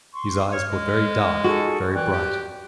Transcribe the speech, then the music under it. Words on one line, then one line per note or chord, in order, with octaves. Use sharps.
His eyes were very dark, very bright.
C6 C#6
C#5 F6
G#3
D#4 F#4 G#4 A4
E3 D5 G5 F#6
G4